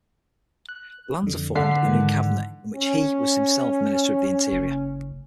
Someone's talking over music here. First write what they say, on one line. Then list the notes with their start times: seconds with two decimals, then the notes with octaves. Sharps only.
Lanza formed a new cabinet in which he was himself minister of the interior.
0.69 F#6
1.22 F2 D3
1.55 D3 B6 C7
1.82 G#2 D#3 E3
2.76 C#4
4.52 F#1